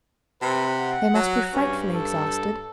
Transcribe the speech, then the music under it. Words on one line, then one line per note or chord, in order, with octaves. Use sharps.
They must be frightfully exhausted.
C3 B4
F#5
F#3
G2 C#4
A4